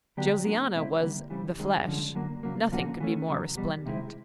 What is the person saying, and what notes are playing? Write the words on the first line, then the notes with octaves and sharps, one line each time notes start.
Josiana was "the flesh." Nothing could be more resplendent.
D3 F#3 B3 D4 G4
F#3 A#3 D4
B2 G#3 C4 E4
D3 G3 A#3
C#3 E3 G3 C4
F#2 D#3 G#3 C#4
F#2 D3 F3 G#3 C#4
F#2 D3 F#3 A#3
C#3 F#3 A#3
A#2 F3 A#3 C#4 F#4
E3 A3 C#4
E2 C#3 F#3
E2 B2 G3
C3 D#3 G#3 C4 E4